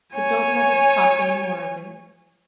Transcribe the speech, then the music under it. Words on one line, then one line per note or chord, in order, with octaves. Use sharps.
"But don't let us talk any more of it."
C#5 G#5